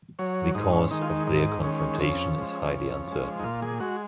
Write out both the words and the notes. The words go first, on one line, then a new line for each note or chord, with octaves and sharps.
The cause of their confrontation is highly uncertain.
F#3 C#5
G#2 D#4
C#4
D#3 G#3 D#4
F4
D#4
G#2 D#4
D#3 G#3 C#4
F2 C#4
F3 G#3
F2
F3 G#3
D#4
A#2 F4
G#4
G#3 F#4